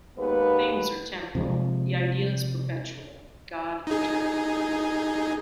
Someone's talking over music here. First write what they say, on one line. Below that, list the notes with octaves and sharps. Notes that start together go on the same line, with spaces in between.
Things are temporal, the ideas perpetual, God eternal.
D#2 G#3 B3 B4
C3 F3 G#3
D#4 G#4